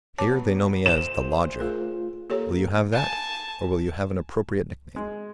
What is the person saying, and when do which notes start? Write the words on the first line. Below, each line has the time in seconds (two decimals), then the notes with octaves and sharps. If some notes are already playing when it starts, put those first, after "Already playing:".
Here, they know me as The Lodger. Will you have that? or will you have an appropriate nick-name?
0.18 F#3 B3 C#5 A5 D6
0.86 D2 A#2 C5 E7
1.60 A3 F4 G#4 A#4
2.30 A#3 G4 A4 C#5 A#5
2.92 G#5 A5
4.96 G#3